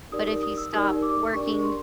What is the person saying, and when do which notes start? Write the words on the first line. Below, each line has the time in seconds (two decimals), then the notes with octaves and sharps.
But if you stop working,
0.12 D#4 G4 A#4 D5 D#6
0.28 D#6
0.43 D#6
0.57 E6
0.73 D#4 G4 A#4 D5
1.02 D6
1.33 D4 G4 A#4 D5 C#6
1.64 C6